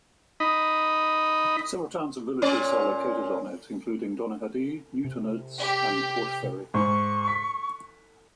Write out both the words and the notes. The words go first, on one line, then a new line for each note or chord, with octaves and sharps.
Several towns and villages are located on it, including Donaghadee, Newtownards and Portaferry.
D#4 D#5 B5
A#2 C#4 D5
C3
G4
G#2 C#6
B6